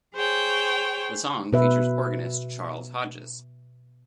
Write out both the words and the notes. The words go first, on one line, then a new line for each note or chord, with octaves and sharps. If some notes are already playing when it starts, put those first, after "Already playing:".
The song features organist Charles Hodges.
G#4 C5 C#5 G5
B2 B4 E5